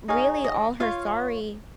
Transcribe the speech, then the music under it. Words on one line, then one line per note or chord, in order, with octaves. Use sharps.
really all her sorry
D#4 G#4 C#5 F5
D#5
F4 C#5 F5